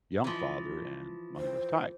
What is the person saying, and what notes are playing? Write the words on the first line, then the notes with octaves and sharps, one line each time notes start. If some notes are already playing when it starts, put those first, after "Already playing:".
young father and money was tight.
E3 F3
C5